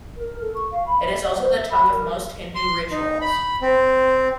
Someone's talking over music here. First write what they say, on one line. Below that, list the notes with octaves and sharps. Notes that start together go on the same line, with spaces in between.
It is also the tongue of most Hindu rituals.
A#4
A4
C#6
F5
B5
E5
E5
C5
E5
B5
A#4
C6
D#4
B5
C4